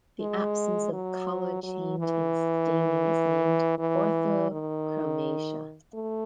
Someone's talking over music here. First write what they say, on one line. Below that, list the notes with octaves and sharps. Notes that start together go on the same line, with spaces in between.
The absence of color change in staining is named orthochromasia.
G#3
F#3
F#3
E3
E3
D#3
A3